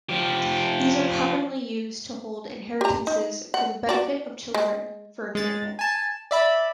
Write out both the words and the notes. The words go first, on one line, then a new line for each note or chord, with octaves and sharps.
These are commonly used to hold inheritances for the benefit of children, for example.
F3 G4
G4 A#5
D#4
F#5
F#4 D5
G#3
G#3 A6
G#5 A5
D5 E5 B5